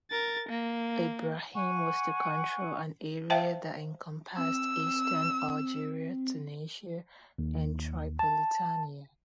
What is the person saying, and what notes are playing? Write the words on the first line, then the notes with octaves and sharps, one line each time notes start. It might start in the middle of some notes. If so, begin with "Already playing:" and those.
Ibrahim was to control an area that encompassed eastern Algeria, Tunisia and Tripolitania.
A#4 A6
A#3
F#5 G#5 C#6
C5 E5 F5 G5 A5
C4 E6
D#2
A5